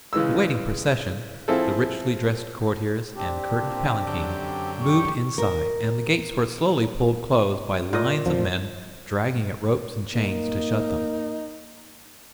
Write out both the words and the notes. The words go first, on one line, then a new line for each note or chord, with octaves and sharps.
The waiting procession, the richly dressed courtiers and curtained palanquin, moved inside and the gates were slowly pulled close by lines of men dragging at ropes and chains to shut them.
C#3 E3 G#3 E6
F3 C4 E4 F4 G#4 A4
C4 D4 G4
A#2
F#2 D3 G5
G4 C#6
A#4
A#2 D#5
F2 F3
A#3 D#4